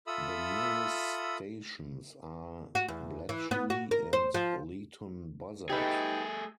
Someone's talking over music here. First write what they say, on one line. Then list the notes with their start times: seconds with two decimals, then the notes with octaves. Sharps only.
The nearest stations are Bletchley and Leighton Buzzard.
0.07 F4 A4 E5 B5 D#6 E6
2.75 F#4
2.88 E2
3.29 E3
3.51 B3
3.70 F#4
3.91 A#4
4.13 C5
4.34 F3
5.70 A3 D#4 G4 G#4 B4 G5